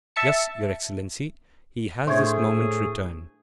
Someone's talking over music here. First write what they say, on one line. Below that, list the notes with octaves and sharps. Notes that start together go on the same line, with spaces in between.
"Yes, your excellency; he has this moment returned."
E5 A5 C#7
A2 A3 D4 G#4 C5 C#5 E5